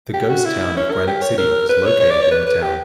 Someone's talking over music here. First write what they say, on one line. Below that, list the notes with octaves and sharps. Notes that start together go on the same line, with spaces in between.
The ghost town of Granite City was located in the town.
G4
F#4
E4
C#4
A#4
G4
C#5
A#4
B4
C#5
C#5
D5
C#5
B4
B4
G4